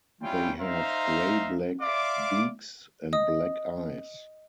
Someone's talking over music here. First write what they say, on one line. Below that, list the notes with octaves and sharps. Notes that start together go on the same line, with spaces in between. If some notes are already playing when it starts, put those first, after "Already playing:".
They have gray-black beaks and black eyes.
G3 C#4 E4 F4 G5
D#4 C5 E5 F5 A#5 C6
D5 E5 F5 C6 D6
D#5 D#6